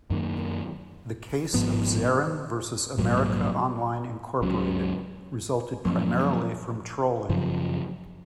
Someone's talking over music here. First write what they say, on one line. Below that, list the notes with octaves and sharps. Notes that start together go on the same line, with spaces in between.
The case of "Zeran versus America Online, Incorporated" resulted primarily from trolling.
F#2 D#3 A#3
G#1 G#2 F3 B3
A#1 G#2 F#3 A#3
C#2 C#3 F#3 C#4
F#2 F3 A#3 C#4
F#2 C#3 F3